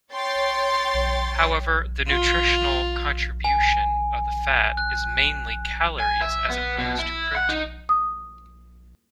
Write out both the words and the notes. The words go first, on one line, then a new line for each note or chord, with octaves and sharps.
However, the nutritional contribution of the fat is mainly calories as opposed to protein.
C#5 G5 C6 A6
F4
G#5
F#6
G#5
E5
B3
B2
E4
F#5
D#4
D#6